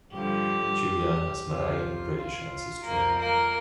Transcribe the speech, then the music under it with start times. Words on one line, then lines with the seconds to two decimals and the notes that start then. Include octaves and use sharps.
Julia has Malay and British ancestry.
0.12 G2 D3 F3 G4
1.49 F2 C3 F3 F4
2.17 F4
2.84 F2 F3 A#3 A#4
3.19 A#3 A#4